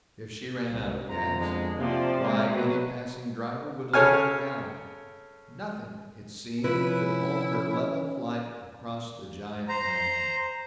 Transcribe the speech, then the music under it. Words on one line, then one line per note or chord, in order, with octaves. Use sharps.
If she ran out of gas--why, any passing driver would lend her a gallon. Nothing, it seemed, could halt her level flight across the giant land.
C2
F2 C5 A#5
B2 D3 G#3
C3 F3 A#3 C5 D5
B2 G#3 A#3
B2 F#3 B4
C#3 A4 C#5 G#5 F6
C3 F3 C#4 E4 B4
C5 A#5